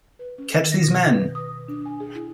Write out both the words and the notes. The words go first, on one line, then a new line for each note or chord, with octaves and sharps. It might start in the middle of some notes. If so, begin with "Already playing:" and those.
Catch these men!
B4
C#4
D#3
A#6
B2
B4
D#6
D4
G#5
G#4
E4